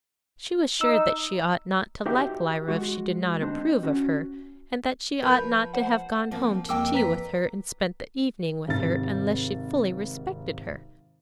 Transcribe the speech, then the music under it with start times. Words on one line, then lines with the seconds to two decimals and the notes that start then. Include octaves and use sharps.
She was sure that she ought not to like Lyra if she did not approve of her, and that she ought not to have gone home to tea with her and spent the evening with her unless she fully respected her.
0.81 D#4 E6
2.06 D#4 F#4 G4 C5 E5 G5
2.69 G#3 F#4
3.42 C4 D4 D#4 C5
3.83 C#4 F#4
5.22 F3 A#4 B4 B5 G6
5.74 C5 F#5
6.31 F3 A#3 C4
6.69 F2 A#3 G5 D6 E6
6.94 B4 A#5 B6
8.68 G#1 C3 A6